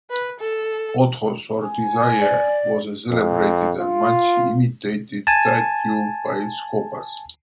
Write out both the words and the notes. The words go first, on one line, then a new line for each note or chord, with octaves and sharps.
"Pothos", or "Desire", was a celebrated and much imitated statue by Scopas.
B4
A4
G#5
D5
F2
F4
G#5 A5